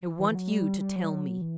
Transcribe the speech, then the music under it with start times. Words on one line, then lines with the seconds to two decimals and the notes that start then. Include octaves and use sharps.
"I want you to tell me."
0.19 E3
0.31 E3
0.35 F#3
0.50 G3
0.80 G3
0.96 F#3
1.04 G3
1.12 F#3
1.42 E3